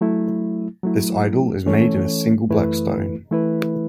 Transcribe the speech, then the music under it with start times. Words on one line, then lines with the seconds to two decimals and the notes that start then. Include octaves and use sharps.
This idol is made in a single black stone.
0.01 F#3 A3 E4
0.83 F#3 A3 E4
1.66 E3 A3 C#4 A4 C#5
2.48 F#2 E3 A3 E4 B4
3.31 E3 A3 E4 B4